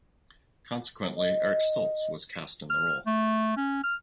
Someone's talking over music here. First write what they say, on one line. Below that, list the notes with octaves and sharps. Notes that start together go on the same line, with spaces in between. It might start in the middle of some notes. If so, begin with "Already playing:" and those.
Consequently, Eric Stoltz was cast in the role.
D#5
F6
A3
C#4
F6